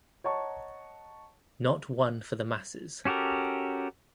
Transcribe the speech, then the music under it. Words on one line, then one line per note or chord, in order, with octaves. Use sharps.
Not one for the masses.
C#5 D#5 F#5 A5 A#5 C#6
C#4 F#4 G4 A4 A#4